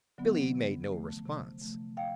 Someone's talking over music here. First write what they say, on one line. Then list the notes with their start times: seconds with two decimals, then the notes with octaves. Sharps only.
Billy made no response.
0.18 D3 F#3 B3
0.55 C3
0.90 F3 A3
1.26 C3
1.62 F3 A3
1.97 F5 G5